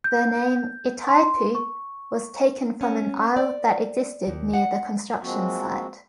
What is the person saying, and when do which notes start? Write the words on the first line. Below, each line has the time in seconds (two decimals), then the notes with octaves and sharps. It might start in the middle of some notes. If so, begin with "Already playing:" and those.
The name "Itaipu" was taken from an isle that existed near the construction site.
0.04 G6
1.09 C6
1.55 C#6
2.81 C#4
3.36 D5
4.27 D#2
4.53 F#5
5.22 F3 G#3 A#3 C4 F#4